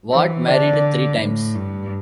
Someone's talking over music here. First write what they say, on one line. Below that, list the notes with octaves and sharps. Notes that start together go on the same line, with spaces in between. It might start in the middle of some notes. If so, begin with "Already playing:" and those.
Ward married three times.
E3 C4
D3 D4
A2
G2